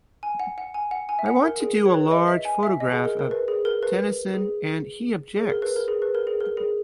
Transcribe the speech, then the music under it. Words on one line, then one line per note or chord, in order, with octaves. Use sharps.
I want to do a large photograph of Tennyson and he objects!
G#5
F#5
F#5
G#5
F#5
G#5
E5
F#5
A#4
G#4
C#5
B4
D#5
E5
G#5
E5
D#5
G#4
A#4
A#4
B4
G#4
A#4
B4
G#4
G#4
A#4
B4
A#4
G#4
B4
A#4
G#4
A#4
G#4